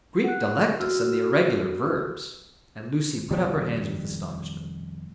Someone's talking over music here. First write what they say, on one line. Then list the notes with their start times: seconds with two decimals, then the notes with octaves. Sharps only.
"Greek Delectus and the irregular verbs!" And Lucy put up her hands with astonishment.
0.24 F#5 F#6
0.80 F#4 E6 F6
3.30 F1 B2 D#3 G3